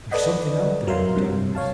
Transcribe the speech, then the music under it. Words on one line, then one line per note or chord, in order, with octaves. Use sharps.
"There is something out there in the darkness."
A4 B4 D5 D#5 F#5
F#3 A#4 E5 F5 C6
G2 C3
C#5 F5 A5